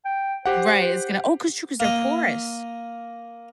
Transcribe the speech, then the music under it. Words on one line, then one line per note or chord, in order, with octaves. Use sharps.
Right, it's gonna Oh, 'cause True, 'cause they're porous.
G5
G4 C5 F#5
A#3 D#5